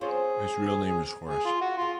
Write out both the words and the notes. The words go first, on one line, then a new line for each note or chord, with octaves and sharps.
His real name is Horace.
C4 C#4 F4 G#4
G#4
F4
F#4
G#3 F4